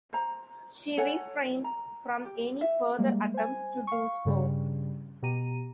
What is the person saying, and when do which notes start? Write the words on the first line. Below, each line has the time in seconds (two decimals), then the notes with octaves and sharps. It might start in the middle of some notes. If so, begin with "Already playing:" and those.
She refrains from any further attempts to do so.
0.13 C5 A#5
0.97 A4 C#5 F#5 G#5
1.64 A#5
2.25 G4
2.61 E5
2.99 G3 G#3 A#3
3.34 C5 G#5
3.87 F5 C#6
4.25 G2 C#3 G3
5.23 B2 G4 A#5 D#7